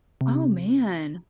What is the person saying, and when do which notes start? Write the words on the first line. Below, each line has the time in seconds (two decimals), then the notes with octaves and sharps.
Oh, man.
0.21 C3